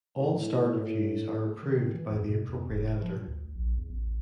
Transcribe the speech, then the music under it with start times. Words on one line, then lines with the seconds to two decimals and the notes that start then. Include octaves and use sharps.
All starred reviews are approved by the appropriate editor.
0.20 A2
1.63 D#3
1.95 E3
2.13 F2
2.29 B2
2.49 F2
2.70 F1
3.02 F3
3.15 A#2
3.28 D2
3.55 A#1
3.77 E2
3.89 A1